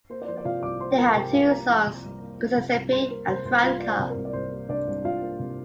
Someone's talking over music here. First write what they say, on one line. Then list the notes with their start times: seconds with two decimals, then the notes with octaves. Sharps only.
They had two sons, Giuseppe and Franca.
0.10 A#3 C5
0.22 D5
0.28 F3 C5
0.37 D5
0.45 C3 F4 F5
0.63 C2 D5 D6
0.80 A#3 C5 C6
0.91 G5
0.98 F3 A#4 A#5
1.16 C3 G4 G5
1.34 C2 F4 F5
1.51 A#3 A#4 A#5
1.69 F3
1.87 C3
2.04 C2
2.22 A#3
2.40 F3
2.57 C3
2.75 C2
2.92 C2 C5 C6
3.10 A#3 A#4
3.28 C3 C5
3.45 C2 C5
3.63 C2 F4 F5
3.80 A#3 D5
3.87 C5
3.99 C3
4.10 A#4
4.16 C2
4.25 D5
4.33 C2 C5
4.52 A#3
4.69 C3 D4 D5
4.87 C2
5.05 C2 F4 F5
5.22 A#3
5.39 C3